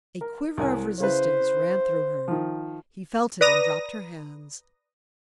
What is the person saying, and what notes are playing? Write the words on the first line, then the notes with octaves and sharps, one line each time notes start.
A quiver of resistance ran through her: he felt it and dropped her hands.
A#4
C2 C#5 G#5
C#3 E4 B4 C5
D#3 F3
B4 D5 A#5 D#6 A#6